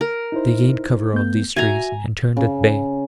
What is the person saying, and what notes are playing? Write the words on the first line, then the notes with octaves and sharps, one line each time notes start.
They gained cover of these trees, and turned at bay.
A#4
D#4 E4 C5
A3 B3 G6
F#4 E5 G#5 A#5
G#2
C#3